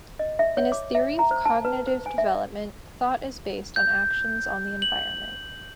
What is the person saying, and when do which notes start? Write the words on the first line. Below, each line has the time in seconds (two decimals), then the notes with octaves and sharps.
In his theory of cognitive development, thought is based on actions on the environment.
0.19 D#5
0.39 E5
0.57 C#5
0.72 D6
0.95 E5
1.19 A#5
1.31 C5
1.45 A5
1.65 B4
1.87 C5
2.06 G#5
2.18 E5
3.76 G6
4.82 F#7